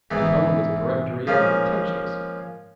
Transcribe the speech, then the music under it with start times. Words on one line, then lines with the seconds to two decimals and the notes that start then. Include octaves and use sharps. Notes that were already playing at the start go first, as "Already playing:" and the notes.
The tone was peremptory and contemptuous.
0.11 G#2 E3 B3
1.27 F3 G#3 A#3 C#4